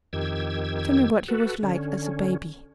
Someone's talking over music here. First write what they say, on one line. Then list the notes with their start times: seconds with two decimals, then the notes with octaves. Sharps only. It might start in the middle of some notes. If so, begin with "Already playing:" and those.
Tell me what he was like as a baby.'
0.13 F2 D#3 G4 E6 G#6
1.28 F#4 A4 B4
1.63 D3 C#4